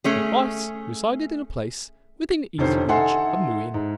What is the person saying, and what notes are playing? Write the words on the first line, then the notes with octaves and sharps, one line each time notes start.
But Weiss resided at a place within easy reach of New Inn.
A3 C#4 G#4
F1 D3 D#3 C#4 C5
D#4 A4 E5 F#5 G#5 C6
G#2